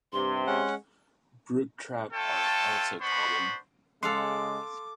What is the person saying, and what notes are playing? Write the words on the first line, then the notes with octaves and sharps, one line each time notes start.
Brook trout are also common.
G2 C3 C6
G#3 C#4 F#5
A3 F4 A4 C#5 G5 A5
B3 D4 C5 B5 C#6
C#3 G#3 A4 F5 F#5 C6 D6